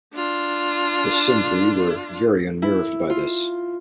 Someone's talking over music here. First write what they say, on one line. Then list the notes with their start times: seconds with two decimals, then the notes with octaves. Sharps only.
The Cimbri were very unnerved by this.
0.14 D4 F4
2.62 E4
3.10 F4